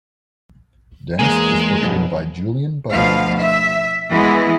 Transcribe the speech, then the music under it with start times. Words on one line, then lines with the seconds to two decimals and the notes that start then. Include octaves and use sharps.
Dennis is portrayed by Julian Barratt.
1.19 E2 G#3 A#3 G#5
1.81 B1 F2 B2
2.92 D2 B2 F3 F5
3.40 E5
4.11 E3 G#3 B3 E4